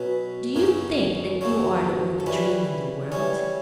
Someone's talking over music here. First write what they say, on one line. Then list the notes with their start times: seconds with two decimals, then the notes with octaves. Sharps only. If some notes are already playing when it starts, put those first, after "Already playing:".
Do you think that you are the only dream in the world?
Already playing: B2 F#3 C#4 B4
0.55 F#2 C#3 F#3 C#4
1.41 F#2 C#3 F#3 C#4
2.20 A4
2.26 E3 G3 C#4 B4
3.12 E3 G3 C#4 C#5